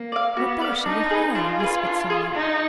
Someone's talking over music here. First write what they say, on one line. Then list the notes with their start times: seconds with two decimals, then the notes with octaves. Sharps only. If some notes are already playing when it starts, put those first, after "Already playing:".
"Natasha, your hair!..." whispered Sonya.
Already playing: A#3
0.12 D5 F5
0.36 B3 F#4
0.61 D5 F5
0.85 D4 D#4
1.11 G#4 B4
1.35 D4 F4
1.60 G#4 B4
1.85 D4
2.10 G#4 D#5
2.34 D4 D#4